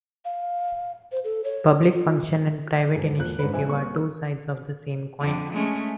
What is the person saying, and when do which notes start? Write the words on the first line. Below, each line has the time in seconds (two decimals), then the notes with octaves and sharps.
Public function and private initiative are two sides of the same coin.
0.25 F5
1.12 C5
1.24 A4
1.44 C#5
1.92 F4
2.95 E1 G#2 G#3 G#4
3.17 E1 E2 F3 A#3 F#6
3.39 G#2 D3 C#4 B4
3.53 E1 A#1 C4 E5 G#5
3.67 D#1 A#3 C4 C#6
5.20 F2 D3
5.53 G#3 A3 C#4